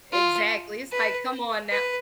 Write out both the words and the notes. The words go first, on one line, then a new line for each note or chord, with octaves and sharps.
Exactly, it's like, "Come on now"
F4
B4
B4